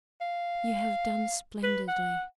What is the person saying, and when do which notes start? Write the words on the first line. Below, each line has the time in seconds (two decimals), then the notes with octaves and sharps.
"You have done splendidly."
0.21 F5
1.63 B4
1.88 F#5